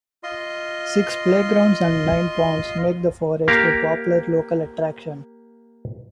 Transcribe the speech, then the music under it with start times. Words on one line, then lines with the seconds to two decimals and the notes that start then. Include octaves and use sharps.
Six playgrounds and nine ponds make the forest a popular local attraction.
0.23 F4 D#5 C6
3.48 A#3 G4 A#4 F5